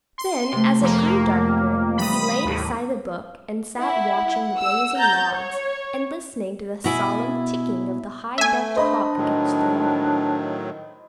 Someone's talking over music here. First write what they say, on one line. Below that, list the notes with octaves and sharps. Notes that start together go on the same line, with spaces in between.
Then, as it grew darker, he laid aside the book and sat watching the blazing logs and listening to the solemn ticking of the high Dutch clock against the wall.
C6
C3 A3
F2 A#3
E3 G3 C4 B5 D#6
D#2 A2
E4 F#5
E6
A#5 G6 A6
C#5
B2 E4 G#5
A3 E5 G#5
D4 C5 D#5 B5
A2 D#3 F#3